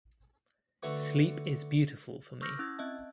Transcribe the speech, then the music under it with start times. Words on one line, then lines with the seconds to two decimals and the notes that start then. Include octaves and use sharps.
Sleep is beautiful for me.
0.83 D3 A3 F#4 B4 C#6
2.42 C#6 D6 E6 F6 G6 A#6
2.59 C#4 E4 E6 G#6
2.78 C4 D#5 E5 A5